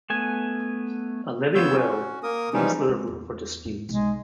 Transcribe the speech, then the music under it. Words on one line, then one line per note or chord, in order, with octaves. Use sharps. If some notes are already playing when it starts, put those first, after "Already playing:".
A living will, leaves little room for dispute.
A3 B3 G#5
F2 B3 F4 C#5 E6 G6
C#4 F#4
A#3 A#4 D#6
E3 F3 G3 G#3 C#4 D#4
G#3
E2
G#2
B1 G#3